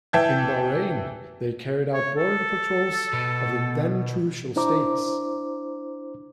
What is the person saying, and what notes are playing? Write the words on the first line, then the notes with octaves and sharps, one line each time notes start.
In Bahrain, they carried out border patrols of the then Trucial States.
E3 E5 G5 A5 G6 G#6
C#5
A4
B2
D4 E4 C5 A#5 D6